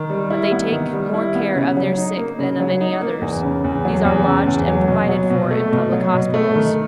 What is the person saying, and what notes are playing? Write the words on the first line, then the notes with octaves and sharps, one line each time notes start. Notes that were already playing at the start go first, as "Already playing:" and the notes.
But they take more care of their sick than of any others; these are lodged and provided for in public hospitals.
Already playing: D#3
G3
E4
B3
D#3
G3
E4
B3
C#3
F#3
D#4
A#3
C#3
F#3
D#4
A#3
E2
C#3
E2
F#3
E2
C#3
E2
F#3
B2
F#3
B2
A3
B2
F#3
B2
A3
D#3